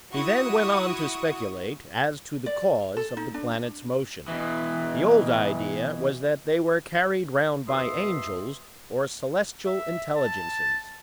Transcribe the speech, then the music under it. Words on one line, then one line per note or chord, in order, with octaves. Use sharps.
He then went on to speculate as to the cause of the planets' motion. The old idea was that they were carried round by angels or celestial intelligences.
E4 F#4 C#6 D#6
D5
A4
D#4
D4
D4
B2 E3
D#2 B2 E5 C6 D#6
E5
A5